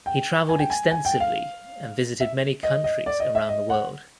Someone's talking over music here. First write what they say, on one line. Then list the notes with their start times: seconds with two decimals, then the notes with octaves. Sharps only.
He traveled extensively and visited many countries around the world.
0.06 G5
0.49 G#5
0.59 G5
0.70 G#5
0.91 G#5
1.05 G5
1.20 F5
2.20 E5
2.63 D#5
2.84 D#5
3.06 D5
3.20 D#5
3.35 E5
3.49 D#5
3.70 F#5